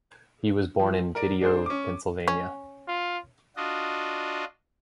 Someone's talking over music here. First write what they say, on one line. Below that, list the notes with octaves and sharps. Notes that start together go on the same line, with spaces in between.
He was born in Tidioute, Pennsylvania.
F3
A#4 D5 D7
D4 G#4 C5
C#4 D6
C#4
F4
D4 F4 F#4 D#5